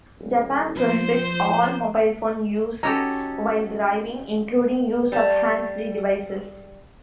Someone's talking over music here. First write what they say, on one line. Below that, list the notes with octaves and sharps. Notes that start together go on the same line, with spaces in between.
Japan prohibits all mobile phone use while driving, including use of hands-free devices.
D#1
F3 C5
C#4 D#4 F#4 G4 A4 A#5
G3 A5